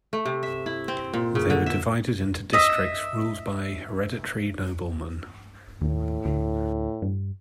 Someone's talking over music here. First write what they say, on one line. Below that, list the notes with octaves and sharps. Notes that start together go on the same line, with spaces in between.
They were divided into districts ruled by hereditary noblemen.
A3
C3
E5
E4
C4
A#2
C#3
D3
E5
D#5 E5
D#2 A2
D2
G2